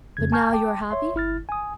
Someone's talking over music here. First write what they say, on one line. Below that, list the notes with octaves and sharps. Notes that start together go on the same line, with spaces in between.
"But now you are happy?"
F2 C#3 G#6
G#5 A5 C#6 F6 G6 G#6
G5 A5 D6
C#5 E5 C6
G1 E4 F6 A6
G#5 D#6